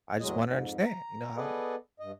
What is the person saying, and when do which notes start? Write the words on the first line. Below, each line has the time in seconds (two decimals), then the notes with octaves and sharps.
I just wanna understand, you know, how
0.20 E2 A2 F#3 G#3 D#5
0.46 F2 G#2
0.86 A#5
1.37 B3 G#4 A4 B4 D5 D#5
2.00 G2 D#5